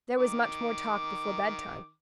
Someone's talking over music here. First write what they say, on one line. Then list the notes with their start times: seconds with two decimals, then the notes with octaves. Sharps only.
There was much more talk before bedtime.
0.18 D#3 D6